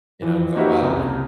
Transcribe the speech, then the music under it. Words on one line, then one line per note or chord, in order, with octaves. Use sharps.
you know, go out and
E3 F3
A#3 D#4 F#4 G4 B4 E5
C2 C#3 A#5